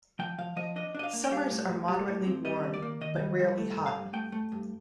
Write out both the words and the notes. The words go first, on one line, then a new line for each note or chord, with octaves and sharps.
Summers are moderately warm but rarely hot.
F3 G5
F3 F5
F3 D#5
D4 D#5
D4 D#5
F5
A#3
G5
G3 F5
A2
A2
G3
A2
C4
G3 D#5
D#3
D5
A#3
D#3 D#5
G3
G3
A3
G2
F5
G2
A3 G5
A3
G2